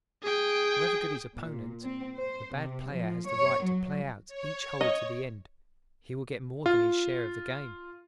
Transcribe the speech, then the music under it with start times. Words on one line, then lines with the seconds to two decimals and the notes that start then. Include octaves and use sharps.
However good his opponent, the bad player has the right to play out each hole to the end; he will get more than his share of the game.
0.23 G#4 G5
1.35 A#2
1.83 C4
2.17 C5
2.56 C3
2.91 F3
3.27 C#5
3.63 F#3
4.28 C#5
4.81 D#5
6.66 F4